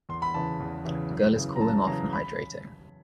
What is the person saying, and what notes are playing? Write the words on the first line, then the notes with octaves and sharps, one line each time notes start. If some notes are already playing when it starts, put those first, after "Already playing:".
A girl is cooling off and hydrating.
E2 C6
B5
C#3 E3 A5
E2
C#3 E3
F#2
C#3 E3
A#5
F#2 A5
C#3 E3 A#5
B5